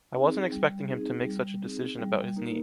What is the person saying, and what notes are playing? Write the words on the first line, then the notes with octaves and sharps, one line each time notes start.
I wasn't expecting him to make such a decision about his knee.
C4 D#4 G#4
G3
C4 D#4 G#4
G3
C4 D#4 G#4
G3
A#3 D#4 A#4